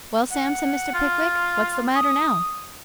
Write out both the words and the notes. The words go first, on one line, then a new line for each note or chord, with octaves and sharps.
'Well, Sam,' said Mr. Pickwick, 'what's the matter now?'
F#5
F4
D#6